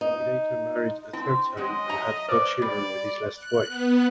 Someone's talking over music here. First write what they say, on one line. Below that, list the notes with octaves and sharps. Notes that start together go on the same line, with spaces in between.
He later married a third time and had four children with his last wife.
D#4
C4 E4
F#3 G#3 C4 D#5
F#3 E5 A#5
B4 C5 D5 D6
G3 D5
F#6
B3